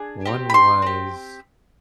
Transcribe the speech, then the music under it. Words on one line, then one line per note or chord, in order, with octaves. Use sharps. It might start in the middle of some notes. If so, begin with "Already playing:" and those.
one was,
Already playing: D4 G#4
C4 G4
B5
C6
C4 G4